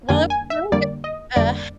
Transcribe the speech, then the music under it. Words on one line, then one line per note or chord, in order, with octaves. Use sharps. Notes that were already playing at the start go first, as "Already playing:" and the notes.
Well, it was really good, uh,
F2 D3 G3 A#3 G#5
G#5
E5
F2 D3 G3 A#3 D5
D#5
F2 D3 G3 A#3 D5